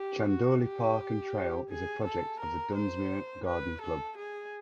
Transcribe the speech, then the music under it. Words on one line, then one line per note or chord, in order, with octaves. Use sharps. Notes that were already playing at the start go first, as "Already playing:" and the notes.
Tuahindauli Park and Trail is a project of the Dunsmuir Garden Club.
Already playing: G4
F#4
G4
G#4
A4
A#4
C5
B4
A4
G#4